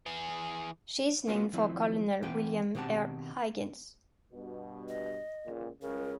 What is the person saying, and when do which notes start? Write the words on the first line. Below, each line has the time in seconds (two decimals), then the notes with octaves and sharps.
She is named for Colonel William R. Higgins.
0.06 E3 G#4
1.27 G#3 A#3 C#4 F4 F#4 B4
1.53 D#3 F3 F#3 C4 E4
2.23 E3 C4 B4 F#5 G5
2.75 B2 D#3 C4 G4 F#5 A5
4.32 G2 B2
4.88 D#5
5.45 C#2 A#2
5.82 C#2 C#3 A#4